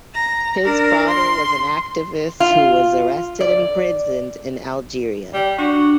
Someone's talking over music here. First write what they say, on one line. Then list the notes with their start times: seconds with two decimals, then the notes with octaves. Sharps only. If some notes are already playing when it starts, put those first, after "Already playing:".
His father was an activist who was arrested and imprisoned in Algeria.
0.15 A#5
0.64 D4 A#4
1.09 C6
2.40 F4
3.41 D5
5.34 G3
5.58 D4 F#4